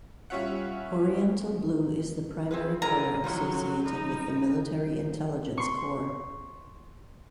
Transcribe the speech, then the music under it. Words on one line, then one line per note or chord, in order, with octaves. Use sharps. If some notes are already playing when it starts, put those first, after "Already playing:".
Oriental blue is the primary color associated with the Military Intelligence Corps.
G3 C#4 F4 C#5 E5 F#5
C4 G#4 B4
D3 E4 G#4 A#4 A#5
A2 D#3 F3 F#3
G3 D#4
C6 C#6